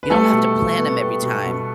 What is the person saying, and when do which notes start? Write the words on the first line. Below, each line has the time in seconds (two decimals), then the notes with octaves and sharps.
you don't have to plant 'em every time.
0.03 B4
0.10 G3 A3 A4
0.33 B2
0.55 B2
0.77 B3
1.01 G3
1.22 B2
1.46 B2